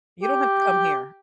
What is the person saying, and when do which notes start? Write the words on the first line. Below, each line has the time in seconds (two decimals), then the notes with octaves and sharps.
You don't have to come here."
0.22 G4